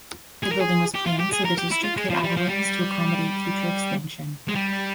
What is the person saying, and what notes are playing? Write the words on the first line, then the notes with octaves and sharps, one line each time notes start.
The building was planned so the district could add wings to accommodate future expansion.
G#4
A#4
G#4
G4
F4
G4
G#4
A#4
G4
E4
F4
G#3
F3
G3
F3
G3
G#3
G3